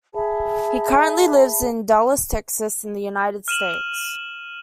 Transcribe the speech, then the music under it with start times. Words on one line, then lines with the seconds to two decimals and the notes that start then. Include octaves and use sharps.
He currently lives in Dallas, Texas, in the United States.
0.14 G#4 E5 A5 B5
3.48 F6 D#7 E7 F#7